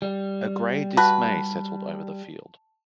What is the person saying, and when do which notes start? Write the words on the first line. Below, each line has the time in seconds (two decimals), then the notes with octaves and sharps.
A grey dismay settled over the field.
0.02 G3
0.97 F#4 B4 A5